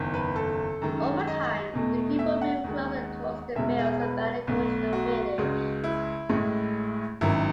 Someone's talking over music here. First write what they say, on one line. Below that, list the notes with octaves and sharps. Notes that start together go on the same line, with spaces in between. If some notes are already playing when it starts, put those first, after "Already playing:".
Over time, the people moved closer towards the fields, abandoning the original village.
Already playing: F#1 E2 D#3
B4
A4
F#2 D#3 G#3
D#5
E2 B2 A3
E5
F#5
D#2 D#3 G#3
E1 E2 B2 G#3 E5
G#4
B4
B1 B2 A3
F#4
C#2 C#3 G#3
E4
A1 A2 G#3
G#1 F#2 D#3 F#3 E4